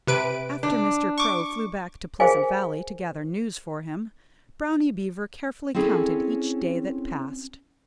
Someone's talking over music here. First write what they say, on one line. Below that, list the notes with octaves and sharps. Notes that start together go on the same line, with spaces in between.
After Mr. Crow flew back to Pleasant Valley to gather news for him, Brownie Beaver carefully counted each day that passed.
C3 B4 D7
D4
C#6 D6
G#4 A#4 C5 F5 G#5
C4 C#4 E4 G#4 A4